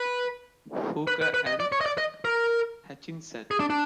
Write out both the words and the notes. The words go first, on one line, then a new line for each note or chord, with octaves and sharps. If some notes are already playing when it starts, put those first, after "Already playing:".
Hooker and Hutchinson.
Already playing: B4
B4
B4
B4
D#5
D5
C#5
D#5
D5
D#5
A#4
G#4
D4
D4